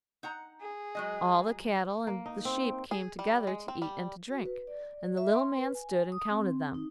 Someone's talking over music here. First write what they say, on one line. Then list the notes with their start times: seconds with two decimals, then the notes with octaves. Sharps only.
All the cattle and the sheep came together to eat and to drink, and the little man stood and counted them.
0.23 D#4 F#5 A#5
0.61 G#4
0.95 F#3 G#3 D#5
2.07 A#3
2.26 D#4
2.45 C4
2.91 G#4
3.19 G3
3.47 G#3
3.68 C4
3.82 G3
4.30 F#4
4.46 B4
4.67 D5
5.17 E5
5.32 C6
5.57 B4
5.75 G#5
6.12 D#6
6.30 C4
6.74 D#4